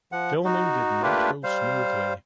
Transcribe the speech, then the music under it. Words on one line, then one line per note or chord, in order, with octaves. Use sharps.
Filming did not go smoothly.
F3 F#5
D#4 F#4
A3 A#3 D4 F4 G4 B4
G3 C5 F5